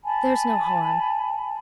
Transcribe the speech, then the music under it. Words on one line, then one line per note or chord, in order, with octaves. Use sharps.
'There's no harm.
G#5 A5 B5